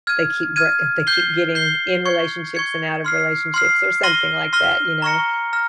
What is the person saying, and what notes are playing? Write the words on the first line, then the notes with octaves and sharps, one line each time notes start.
they keep re they keep getting in relationships and out of relationships, or something like that, you know?
F6 G#6 D#7
F6 G#6 D#7
G6 C7 G7
G6 C7 G7
C#6 G#6 C#7
C#6 G#6 C#7
C6 F6 C7
C6 F6 C7
C6 F6 A#6 D#7 G7
C6 F6 A#6 D#7 G7
A#5 C#6 F6 A#6 C#7
A#5 F6 A#6